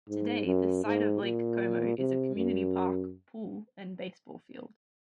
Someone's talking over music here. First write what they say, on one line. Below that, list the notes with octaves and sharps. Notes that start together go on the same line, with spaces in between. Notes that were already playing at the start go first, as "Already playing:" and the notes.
Today, the site of Lake Como is a community park, pool, and baseball field.
G#2
F#2
G#2
A#2
C3
F#2